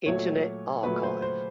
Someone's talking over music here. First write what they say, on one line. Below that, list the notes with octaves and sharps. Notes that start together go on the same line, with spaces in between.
Internet Archive.
A#2 F#3 A3 C#5
A#2 F#3 A3 B4
C5
C5